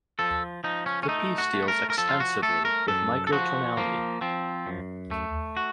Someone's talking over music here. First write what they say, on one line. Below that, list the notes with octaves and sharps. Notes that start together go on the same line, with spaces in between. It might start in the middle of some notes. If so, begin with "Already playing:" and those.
The piece deals extensively with microtonality.
F3 A4
F3 D#4
C#4
C#4
A3 D#4
F#4
A3
A#4
A#4
F3 A4
F4
F#4
A3 A4
A#4
F#2 A4
A4
F3 F#4
F3 A#3
F3 C4
F#2
A3
F#4